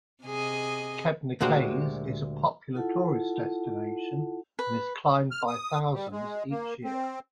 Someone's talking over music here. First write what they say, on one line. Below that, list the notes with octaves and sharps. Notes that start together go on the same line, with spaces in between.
Kebnekaise is a popular tourist destination and is climbed by thousands each year.
C3 G#4 D#5
D2 A#2 G#3 F#4 G4 C5
E4 F4 A4 F#5 A5
B4
F6
D#6
G3
G#3
A#3
C4